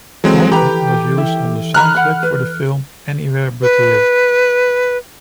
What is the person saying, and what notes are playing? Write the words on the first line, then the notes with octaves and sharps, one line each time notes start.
"Walking" was used on the soundtrack for the film, "Anywhere but Here".
E3 F#3 G#3 C4 A4
G4 B4 G5 A#5 B5
E4
D#4 A#5 B5 F6 F#6
F#5 B5
B4
B4